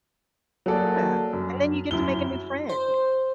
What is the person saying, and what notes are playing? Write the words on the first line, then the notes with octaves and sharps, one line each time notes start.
Yeah, and then you get to make a new friend.
F#3 A#3 G#4 A4 D5
F#2
F#2 E4 G7
C5